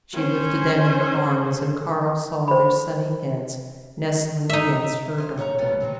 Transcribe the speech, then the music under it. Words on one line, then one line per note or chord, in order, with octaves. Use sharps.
She lifted them in her arms, and Karl saw their sunny heads nestling against her dark one.
C#4 C5
C5 B5
D#4 E5
C5 D#5 F5
C#4 C#5 D#5 A#5
G3 A3 B3 C#4
C3 F#3 C4 D#4